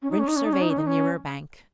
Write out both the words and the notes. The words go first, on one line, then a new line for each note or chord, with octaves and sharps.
Rynch surveyed the nearer bank.
C#4
D#4
C#4
D#4
C#4
D#4
C#4
D#4
C#4
D#4
C#4